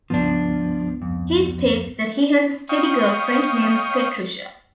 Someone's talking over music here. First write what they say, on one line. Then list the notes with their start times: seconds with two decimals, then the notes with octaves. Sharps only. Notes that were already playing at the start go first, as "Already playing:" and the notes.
He states that he has a steady girlfriend named Petrusha.
0.10 C#2 G2 F3 B3 D4
1.02 F2
2.69 C#5 D#5 F5 G5 C#6 D#6